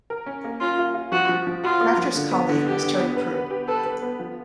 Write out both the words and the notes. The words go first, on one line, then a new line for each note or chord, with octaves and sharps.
Crafter's colleague was Terry Prue.
A#4
C#4
A#3
C#4 F4
F4
F4
F3 F#4
F3
F3
F4 F#4
A#3
F3
D3
B3
D3
D3 G4
D3
B3
B4
B4
G4
A4 B4
B4
B3
F3